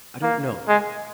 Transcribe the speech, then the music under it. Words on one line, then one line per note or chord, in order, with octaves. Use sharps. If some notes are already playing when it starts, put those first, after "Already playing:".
I don't know.
A#3
G#3